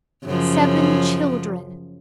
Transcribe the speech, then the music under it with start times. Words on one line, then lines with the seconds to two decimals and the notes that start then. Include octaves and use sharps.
Seven children!
0.25 F#2 C#3 F3